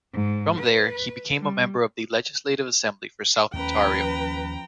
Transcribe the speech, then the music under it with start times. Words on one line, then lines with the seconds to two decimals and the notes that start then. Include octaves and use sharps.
From there, he became a member of the Legislative Assembly for South Ontario.
0.13 G#2
0.58 B4
1.40 G3
3.53 D#2 F3 A3 C#4 B4 G5 A#5